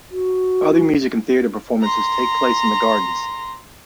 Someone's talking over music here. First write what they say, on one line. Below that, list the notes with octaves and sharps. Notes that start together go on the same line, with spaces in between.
Other music and theatre performances take place in the gardens.
F#4
A#5 C6